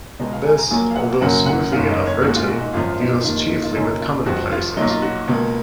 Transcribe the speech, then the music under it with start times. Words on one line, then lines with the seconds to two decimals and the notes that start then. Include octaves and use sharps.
This, although smoothly enough written, deals chiefly with commonplaces.
0.19 C#2 B2 G#3 D#5
0.33 F5
0.45 G#5
0.58 A#5
0.70 A#1 A#2 F#3 A#3 G#5
0.91 F5
0.96 F#5
1.21 F#2 C#3 F#3 A#3 F#5
1.46 F#5
1.72 F#1 F#2 D#3 F5
1.89 D#5
2.06 C#5
2.22 B1 A#2 G#3 F#4
2.35 F4
2.48 F#4
2.61 D#4
2.73 G#1 F#2 F3 F4
2.99 D#4
3.24 F1 D#2 D#3 A#3 F4
3.37 D#4
3.50 D#4
3.63 F4
3.75 F#2 C#3 F#3 A#3 D#4
4.01 F4
4.26 F1 F2 F3 F#4
4.51 F4
4.77 B1 A#2 F#3 D#4
4.89 F4
5.02 F#4
5.27 C#2 B2 A#3